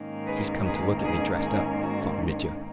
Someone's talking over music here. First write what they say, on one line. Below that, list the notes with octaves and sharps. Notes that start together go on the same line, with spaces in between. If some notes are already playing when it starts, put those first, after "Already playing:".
"He's come to look at me dressed up," thought Mitya.
Already playing: G#2 D#3 A#3 C#4
G#4 B4
G#4 B4
G#4 B4
G#4
F#4